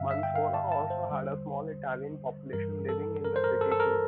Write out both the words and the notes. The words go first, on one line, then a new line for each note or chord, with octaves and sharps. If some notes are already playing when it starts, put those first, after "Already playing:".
Mansoura also had a small Italian population living in the city too.
Already playing: G2 D3 G3 E5 F5
E5
G5
F5
A5
A5
C5
E2 D3 G3
G2 E3 G3 A#4
A4
A#4
C5
A#4
A4
A4
A#4